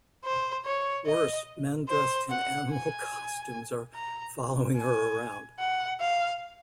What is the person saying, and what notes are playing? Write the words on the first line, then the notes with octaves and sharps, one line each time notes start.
Worse, men dressed in animal costumes are following her around.
C5
C#5
D#5
C5
F#5
G#5
A#5
G#5
F#5
F5